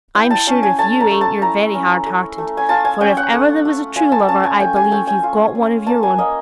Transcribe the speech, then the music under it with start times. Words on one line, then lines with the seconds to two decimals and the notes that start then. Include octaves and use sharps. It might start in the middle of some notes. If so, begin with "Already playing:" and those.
I'm sure, if you ain't, you're very hard-hearted; for, if ever there was a true lover, I believe you've got one of your own.
0.15 E4 G5
0.30 A5
0.47 C#4 A5
0.63 G#5
0.79 A3 A5
1.00 A#5
1.11 A3
1.21 A5
1.42 E4 A#5
1.75 C#4
2.06 A3
2.38 A3
2.57 G#5
2.69 F4 A5
2.85 G#5
3.00 C#4 G5
3.17 F#5
3.33 A3
3.65 A3
3.96 F4 G#5
4.12 A5
4.28 C#4 A5
4.44 G#5
4.60 A3 G5
4.76 G#5
4.91 A3 G5
5.07 G#5
5.23 F4
5.55 C#4
5.87 A#3 A5
6.03 G#5
6.18 A#3 D#5